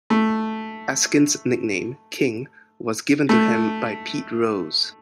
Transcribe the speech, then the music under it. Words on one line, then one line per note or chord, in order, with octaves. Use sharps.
Eskin's nickname, "King", was given to him by Pete Rose.
A3
A3